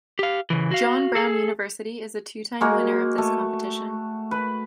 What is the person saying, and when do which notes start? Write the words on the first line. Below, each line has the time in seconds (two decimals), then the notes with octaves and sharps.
John Brown University is a two time winner of this competition.
0.19 G4 F5
0.50 C#3 E3
0.71 F#4 F5
1.15 G#4 A4
2.61 G#3 A#3 F#4
3.18 A3
4.31 B4